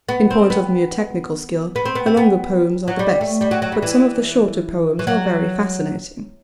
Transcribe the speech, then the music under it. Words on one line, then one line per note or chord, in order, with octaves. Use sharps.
In point of mere technical skill, her longer poems are the best; but some of the shorter poems are very fascinating.
B3
C4
B3
B3
C4
B3
C4
B3
F#3
G3
A3
G3
F#3
F#3
G3
E3
E3
F#3